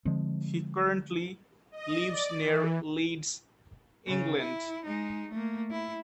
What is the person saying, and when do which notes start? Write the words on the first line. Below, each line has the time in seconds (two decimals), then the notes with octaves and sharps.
He currently lives near Leeds, England.
0.05 D3 F3 G#3 C4
1.71 D#5
2.05 D5
2.40 E3
4.07 C#3
4.40 E4
4.85 G#3 D#4
5.31 A3 A#3
5.71 E4